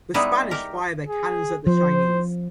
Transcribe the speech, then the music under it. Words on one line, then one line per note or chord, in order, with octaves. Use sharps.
The Spanish fire their cannons at the Chinese.
G3 G#3 B3 D#4 E4
G4 A#4
G#4
F3 C5